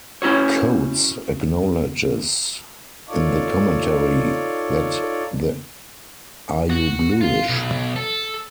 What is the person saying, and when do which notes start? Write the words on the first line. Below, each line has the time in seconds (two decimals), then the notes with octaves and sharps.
Coates acknowledges in the commentary that the are you Bluish?
0.22 C#4 E4 F#4 C#5
3.09 D#4 F4 A4 C#5 D5
6.70 F#4
7.21 F4
7.49 B1
7.96 A4